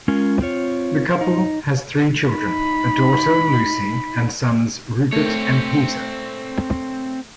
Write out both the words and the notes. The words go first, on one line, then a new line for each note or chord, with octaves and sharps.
The couple has three children, a daughter Lucy and sons Rupert and Peter.
G#3 C#4 F4 A#4
C4 F4 C#5
D#4
D#4 B5
A3 C4 C#5